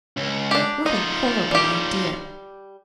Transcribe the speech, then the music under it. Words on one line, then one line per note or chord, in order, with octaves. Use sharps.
What a horrible idea!
C#2
D4 G4
D#4 F4 D#5
G3 G4